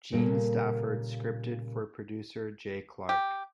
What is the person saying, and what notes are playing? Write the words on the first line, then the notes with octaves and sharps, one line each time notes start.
Gene Stafford scripted for producer Jay Clark.
A#2 C#3 G3 A#3 A4 A#4
G4